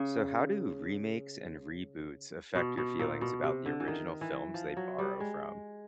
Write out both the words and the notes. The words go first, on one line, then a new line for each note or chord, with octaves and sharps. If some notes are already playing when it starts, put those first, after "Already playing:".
So how do remakes and reboots affect your feelings about the original films they borrow from?
Already playing: C#3
B2
B2
A#2
B2
C3
D3
E3
D#3
E3
F3
F#3
G3
G#3